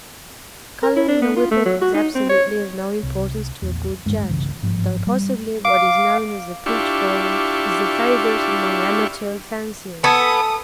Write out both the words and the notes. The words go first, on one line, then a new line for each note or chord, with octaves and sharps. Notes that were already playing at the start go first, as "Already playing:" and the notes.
Colour in the Whippet is absolutely of no importance to a good judge, though possibly what is known as the peach fawn is the favourite among amateur fanciers.
A#4
E4
D4
B3
F4
A3
F#3
F#4
D#4
C4
C#5
C2
A#1 E2
A1 D2 G2 G#3
G1 C2 C#3 E3
G1 G#2 F3
G3
F5 D6
D4 E4 F4 G4 C#6
B3 A4 G#5 B5 D#6